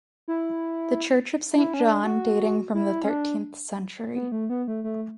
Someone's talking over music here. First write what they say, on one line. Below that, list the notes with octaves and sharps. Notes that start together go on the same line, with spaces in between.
The church of Saint John, dating from the thirteenth century.
E4
E4
C#4
D4
F#4
E4
C#4
D4
B3
A3
B3
A3
A3